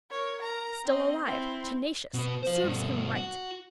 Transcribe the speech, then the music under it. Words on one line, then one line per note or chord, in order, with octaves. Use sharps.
Still alive... tenacious... serves him right!
A#4 C#5
A#4 A#5
C4 D#5
C4 E4
B2 B3
C5 F5
G2 B2
F#4